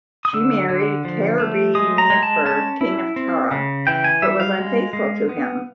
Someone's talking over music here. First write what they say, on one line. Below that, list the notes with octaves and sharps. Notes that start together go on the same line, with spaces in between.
She married Cairbre Nia Fer, king of Tara, but was unfaithful to him.
D#6
D3 E6
D3
F3
A3
G#3 D#6
A#5
G#3
A5
C#4 A5
E4
C4
C#3
E3 G5
G#5
G3 E5
F5
G#3
G#3
B3